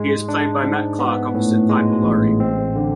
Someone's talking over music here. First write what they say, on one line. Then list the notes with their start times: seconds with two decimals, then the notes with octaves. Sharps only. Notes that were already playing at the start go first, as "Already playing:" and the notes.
He is played by Matt Clark opposite Piper Laurie.
Already playing: G#2 G#3
0.29 D4
0.64 G#2
0.99 B3
1.34 A2
1.69 G#3
2.04 A1
2.40 C4
2.75 D3